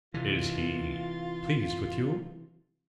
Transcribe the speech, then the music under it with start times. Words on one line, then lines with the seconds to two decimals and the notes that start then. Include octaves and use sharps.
"Is he pleased with you?"
0.14 C3 E3 F4